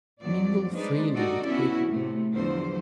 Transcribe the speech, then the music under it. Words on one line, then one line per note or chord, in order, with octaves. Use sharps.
Mingle freely with people.
F2 F#3 D5
G#3 D4 D#4 B4 C5 D5
D#4 F#4 G4 A4 D5
B3 C#4 E4 F#4
A2 C3 A3
E2 D3 F3 F#3 C5